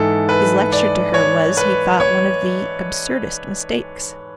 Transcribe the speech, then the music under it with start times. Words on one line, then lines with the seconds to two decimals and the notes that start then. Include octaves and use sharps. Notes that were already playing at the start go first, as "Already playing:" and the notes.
His lecture to her was, he thought, one of the absurdest mistakes.
Already playing: G#2 E3 A4
0.29 B4
0.72 D5
1.14 C#5
1.57 B4
2.00 C#5